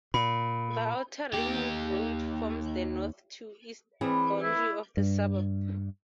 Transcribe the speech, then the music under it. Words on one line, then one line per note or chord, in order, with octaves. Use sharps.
The outer ring road forms the north to east boundary of the suburb.
A#2 B5
D#2 G4
E3 G3 C4 G#4
E4
G2